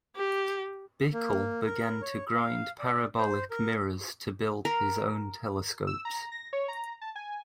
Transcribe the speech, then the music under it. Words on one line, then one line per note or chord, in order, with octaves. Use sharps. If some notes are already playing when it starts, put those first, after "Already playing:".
Bickel began to grind parabolic mirrors to build his own telescopes.
G4
A#3
A#4
C#5
F5
D5
C5
A#4
A#4
E6
A#5
A#6
C#5
A#5
A5
G#5